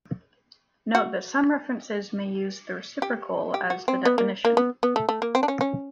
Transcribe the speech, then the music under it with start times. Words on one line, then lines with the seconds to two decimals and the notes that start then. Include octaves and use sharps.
Note that some references may use the reciprocal as the definition.
0.95 F#4
3.02 G4
3.54 G4
3.70 F#4
3.88 C4
4.05 B3
4.18 A#3
4.45 A#3
4.57 B3
4.83 B3
4.96 A3
5.09 A3
5.22 A#3
5.35 C4
5.43 D4
5.48 C#4
5.61 C#4